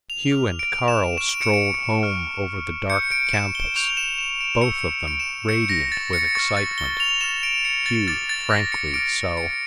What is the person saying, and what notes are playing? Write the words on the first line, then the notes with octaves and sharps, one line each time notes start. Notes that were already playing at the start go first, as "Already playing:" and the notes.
Hugh and Carl strolled home over the dark campus, both of them radiant with excitement, Hugh frankly so.
F7
D6 F6 F7
D7
E7
C#6 F6 E7
D7
C#7
D7
C#6 F6
C#6 G6 C#7
D7
E7
G7
C#6 G6 F7
E7
E7
D7
C#6 E6 G6 C#7
D7
E7
C#6 E6 G6 C#7
A#6
A6
C#7
C#6 F6 A6
A6
G7
F7
C#6 F6 E7
D7
C#7
A6
D6 F6 A6
A6
A#6
C#7
D6 F6 D7
C#7